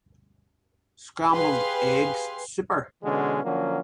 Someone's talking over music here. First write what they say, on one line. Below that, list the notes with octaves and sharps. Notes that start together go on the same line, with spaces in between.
Scrambled Eggs Super!
G4 G#4 B4 F5 G#5 C6
B2 D3 E3 G#3 C#4
D3 F3 F#3 A#3 C#4